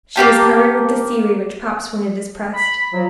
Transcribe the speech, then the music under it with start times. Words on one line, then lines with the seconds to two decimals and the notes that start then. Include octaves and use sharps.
She was covered with the seaweed which pops when it is pressed.
0.16 A#3 F4 G4 A5
2.53 B5
2.93 F3 F#3